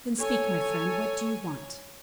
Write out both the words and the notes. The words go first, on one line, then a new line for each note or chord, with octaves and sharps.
"Then speak, my friend; what do you want?"
A4 C#5 G#5